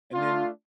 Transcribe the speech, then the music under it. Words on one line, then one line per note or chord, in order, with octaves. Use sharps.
And then
A3 D4 F4